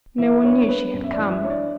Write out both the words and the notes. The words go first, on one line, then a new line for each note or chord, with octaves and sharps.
No one knew she had come.
E3 E5
D4 C#5
C#5
B3 B4
F#2
E5
D5
E3
E5
D4 C#5
D5